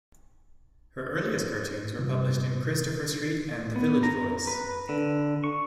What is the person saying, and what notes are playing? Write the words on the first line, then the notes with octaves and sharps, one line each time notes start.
Her earliest cartoons were published in "Christopher Street" and "The Village Voice".
G2 C3
B3
A#5
B4
D3
C#6